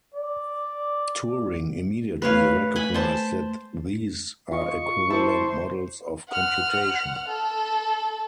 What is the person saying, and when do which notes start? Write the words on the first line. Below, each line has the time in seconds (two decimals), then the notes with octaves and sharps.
Turing immediately recognized that these are equivalent models of computation.
0.14 D5
2.22 A3 B4 C#5 F5
2.76 G#5 B5
2.94 C5 A5
4.51 F4 D#5 C#6
5.10 E4 C5 A5
6.29 F#5 F6
7.28 A4